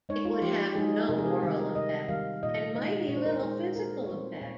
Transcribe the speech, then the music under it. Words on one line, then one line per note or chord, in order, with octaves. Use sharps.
It would have no moral effect and mighty little physical effect.
G#3 D#4 C#5
F4
F3 G4
G#3 D#4 G#4
C3 A#4
G#4
G4
D#3 G3 G#4
A#4
C3 D#5
D#3 G3 F5
A#2 D#5
G#3 D#4 D#5
A#2 C#5
C5
A#4
C5
G#3 D#4 G#4
A#2 A#4
C#5
G3 C4 C5
A#2 C#5